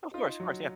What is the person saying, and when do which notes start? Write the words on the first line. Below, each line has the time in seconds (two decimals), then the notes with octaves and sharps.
Of course, of course, yeah.
0.14 D#4 F4
0.40 F#3